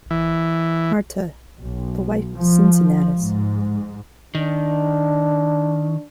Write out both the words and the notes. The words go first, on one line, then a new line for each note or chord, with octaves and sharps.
Marthe- The wife of Cincinnatus.
E3
B1
F3
G#2
D#3 D4